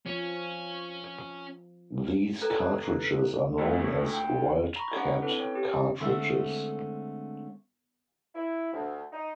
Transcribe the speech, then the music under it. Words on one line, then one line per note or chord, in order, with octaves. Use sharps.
These cartridges are known as wildcat cartridges.
F3 C#4
A4 B4 A#5 F#6
D2 A#2 A3
G5
A#5 B5 C#6
C#4 D4 F#5 D6
C4 E4 A4 B4
C#4 C#5 G5
C#4 G4
D3 G#3 A3 C4 C#4
E4
D2
D#4